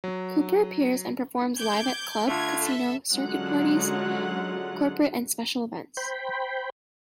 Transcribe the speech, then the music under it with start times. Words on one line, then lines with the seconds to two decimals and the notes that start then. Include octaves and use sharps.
Cooper appears and performs live at club, casino, circuit parties, corporate and special events.
0.04 F#3
1.56 D6 G6 G#6
2.28 D3 A3 F4 G#6
2.60 A4 E5
3.13 D3 F#3 G#3 C#4 F4 F#5
5.97 C5 G5 B5